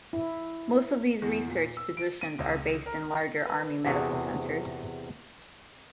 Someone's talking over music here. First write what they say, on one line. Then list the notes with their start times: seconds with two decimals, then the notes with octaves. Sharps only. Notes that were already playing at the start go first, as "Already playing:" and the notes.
Most of these research Physicians are based in larger Army Medical Centers.
0.13 E4
1.22 E2
1.47 A#2
1.77 E6
1.97 D7
2.21 D#7
2.39 C#2
2.86 A#4
3.17 A#6
3.47 B4
3.85 E2 C3 F#4 G#4 A4